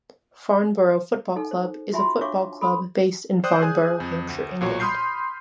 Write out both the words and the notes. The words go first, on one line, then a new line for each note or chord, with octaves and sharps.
Farnborough Football Club is a football club based in Farnborough, Hampshire, England.
D#4 A4
C5
F4 F#4 E5 G#5 B5 C6
D4 C#5 E5 F5 C#6 D6
A4 B5 C6 D#6
C5 D5 G5 D#6 F#6 G6
G#4 G#5
F2
D2
B1 A#2 F#4 C#5
B5 C6 D#6 F6 G6 C7